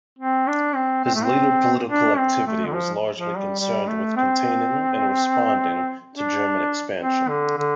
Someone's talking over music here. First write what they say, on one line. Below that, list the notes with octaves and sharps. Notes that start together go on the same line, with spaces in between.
His later political activity was largely concerned with containing and responding to German expansion.
C4
D4
C4
C4
A3
C4
D4
C4
A3
D3
F3
F3
G3
G3
A3
C4
D4
C4
D3
D3